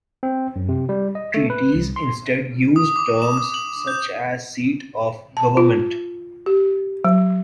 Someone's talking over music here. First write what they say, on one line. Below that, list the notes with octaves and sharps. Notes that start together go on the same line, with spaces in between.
Treaties instead used terms such as seat of government.
C4
F#2
C3
G3
D#5
A3
B4
C2
C6
D#6
D6
E7
D#6
F#7
G6
A5
F4
G4
F#3